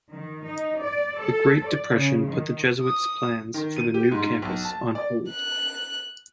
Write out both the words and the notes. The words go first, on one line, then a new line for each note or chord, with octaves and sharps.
The Great Depression put the Jesuits plans for the new campus on hold.
D#3
D#4
D5
A4
D5
C#3
D#3
D#6
D#3
D#7
G4
G#2
G#2
B1
A5
D5
F#6